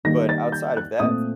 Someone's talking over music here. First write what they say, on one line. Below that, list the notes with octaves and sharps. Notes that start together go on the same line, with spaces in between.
but outside of that,
D#3 G3 A#3 A#6
A6
G6
F#6
A#2 A3 C4 D#6